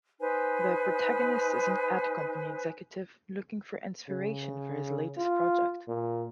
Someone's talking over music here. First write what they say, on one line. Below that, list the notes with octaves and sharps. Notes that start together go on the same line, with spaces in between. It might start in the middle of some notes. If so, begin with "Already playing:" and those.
The protagonist is an ad company executive looking for inspiration for his latest project.
D#4 B4 C5 G#5
C#3
F4
A#2